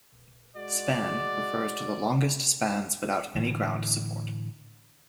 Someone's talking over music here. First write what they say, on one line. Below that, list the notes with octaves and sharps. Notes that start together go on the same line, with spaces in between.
"Span" refers to the longest spans without any ground support.
G#3 F#4 D5
A2 D3 E3